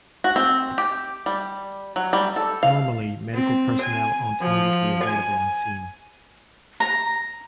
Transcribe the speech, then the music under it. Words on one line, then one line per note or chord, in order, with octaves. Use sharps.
Normally medical personnel aren't immediately available on scene.
F#4
C4
G4
G3
F#3
G3
A4
F5
C4
G#5
F3
G#5
A#5